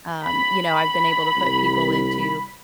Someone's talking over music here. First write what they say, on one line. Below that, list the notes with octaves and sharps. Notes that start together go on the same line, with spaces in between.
um, you know, "I've been able to put people into,"
B5
C2